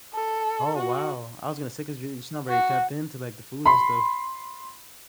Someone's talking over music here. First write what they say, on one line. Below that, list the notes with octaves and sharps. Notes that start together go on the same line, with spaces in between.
Oh, wow. I was gonna say, 'cause you're you sound very tapped in to, like, the foods and stuff.
A4
F#4
F#4
B5 C6